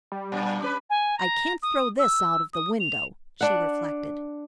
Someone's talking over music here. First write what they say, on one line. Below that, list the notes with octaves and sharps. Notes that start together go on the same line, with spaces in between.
"I can't throw this out of the window," she reflected.
G3
G2 A#2
C#4 B4
G#5
A#5
D#6
E6
D#6
F7
D4 F#5